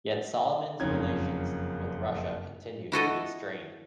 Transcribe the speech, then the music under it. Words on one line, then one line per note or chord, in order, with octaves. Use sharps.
Yet, Solomon's relations with Russia continued to be strained.
F#1 F2 C#4 D#4 G#6
E4 F#4 A4 D#5